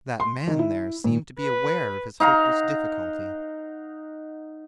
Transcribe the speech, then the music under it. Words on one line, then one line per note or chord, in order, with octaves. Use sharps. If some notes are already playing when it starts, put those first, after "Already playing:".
That man there seemed to be aware of his hopeless difficulty.
C6
D#3
E4
A#2
B4
D#4 F5 F#5 A#5